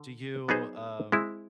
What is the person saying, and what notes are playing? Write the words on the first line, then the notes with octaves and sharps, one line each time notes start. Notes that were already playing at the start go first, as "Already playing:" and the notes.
Do you, um,
Already playing: D3
F#3 B3 D#4 G#4 C5
G#3 C4 E4